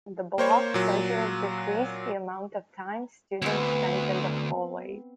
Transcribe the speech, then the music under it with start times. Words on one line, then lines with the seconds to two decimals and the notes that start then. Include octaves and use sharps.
The block schedule decreased the amount of time students spent in the hallways.
0.38 A#3 C5 C#5
0.74 A#2 F#3
3.42 D2 B3 C4